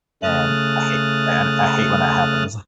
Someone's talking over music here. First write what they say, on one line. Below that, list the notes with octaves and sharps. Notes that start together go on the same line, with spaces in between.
And I hate and I hate when that happens.
C#3 A3 D#6 F6 F#6 A6